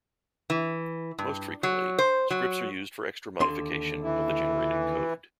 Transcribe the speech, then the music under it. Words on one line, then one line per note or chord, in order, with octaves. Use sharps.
Most frequently scripts are used for extra modification of the generated code.
E3
G2
F#3
C5
F#3
D#2 D3 C6
E3